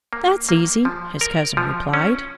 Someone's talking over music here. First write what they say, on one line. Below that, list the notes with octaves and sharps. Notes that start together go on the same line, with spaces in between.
"That's easy," his cousin replied.
A#3
A#3
F3
A#4
F3
C#4